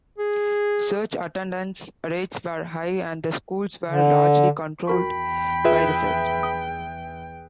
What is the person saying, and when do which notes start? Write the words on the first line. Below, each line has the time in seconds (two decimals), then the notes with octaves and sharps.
Church attendance rates were high, and the schools were largely controlled by the Church.
0.18 G#4
3.88 D3
4.87 E2 F#4 A#4 G5 B5 C#6
5.64 F4 G#4 B4 E5
6.43 D#6